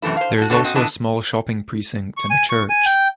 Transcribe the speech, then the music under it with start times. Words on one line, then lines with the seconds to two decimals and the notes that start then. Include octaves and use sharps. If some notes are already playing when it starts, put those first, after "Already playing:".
There is also a small shopping precinct and a church.
0.02 F#2 C3 E3 A3 E4
0.17 C5 F5
0.38 F#4 A4
0.50 D3 A3 F#4 A4 C#5
0.64 A#2 C4 F#4 D#5
0.75 F#2 D3 B3 E4 D#5 A5
2.17 C#6
2.30 G#5
2.50 C#6
2.69 G#5
2.86 G5